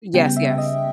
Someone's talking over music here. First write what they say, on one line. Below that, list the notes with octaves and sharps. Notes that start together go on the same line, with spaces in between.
Yes, yes.
C#3 G3 B3 G5
E5
D#5